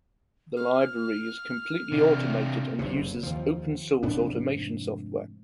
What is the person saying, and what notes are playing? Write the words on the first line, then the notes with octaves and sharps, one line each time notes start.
The library is completely automated and uses open source automation software.
F6
C3 D4
F#1 G2 C3
D#2 F3
F1 G#2 B3 D4